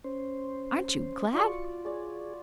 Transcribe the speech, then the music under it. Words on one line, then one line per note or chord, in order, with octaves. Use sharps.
Aren't you glad?
C#4 C5
F4 F#4 D5 C#6
G#4 C#5 D5